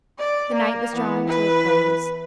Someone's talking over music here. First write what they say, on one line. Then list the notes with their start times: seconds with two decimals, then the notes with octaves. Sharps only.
The night was drawing to a close.
0.18 D5
0.54 A#3
0.95 E3 B3
1.27 B4